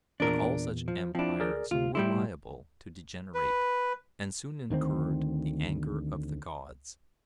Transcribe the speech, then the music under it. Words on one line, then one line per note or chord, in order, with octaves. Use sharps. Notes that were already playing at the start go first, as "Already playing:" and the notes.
But all such empires were liable to degenerate, and soon incurred the anger of the gods.
E2 A#2 D4 A#4
F3
F3 C4 D4 E4
G#4 A#4 D5
D2 C3 F4
A2 G3 E4 G5 C6
B4
D2 D#3 G#3 C4